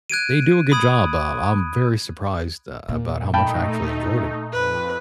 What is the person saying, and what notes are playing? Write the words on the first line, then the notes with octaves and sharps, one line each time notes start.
They do a good job, um, I'm very surprised a about how much I actually enjoyed it.
F#6 G#6 D7 D#7
B5 D#6 G#6
A#2
A3 D#4 G5 A5 B5
F2 B4